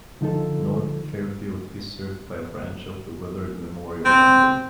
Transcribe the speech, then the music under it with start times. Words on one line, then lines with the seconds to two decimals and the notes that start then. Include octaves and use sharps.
North Fairfield is served by a branch of the Willard Memorial Library.
0.21 D3 F3 D#4 F4 A4
4.05 C4